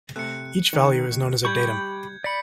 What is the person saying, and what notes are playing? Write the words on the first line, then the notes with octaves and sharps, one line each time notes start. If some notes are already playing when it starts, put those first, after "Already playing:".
Each value is known as a datum.
C3 A3 F#6 C#7
D#3
D#2
G3 G4 B5 C#6 G6 G#6
D5 B5 B6 C#7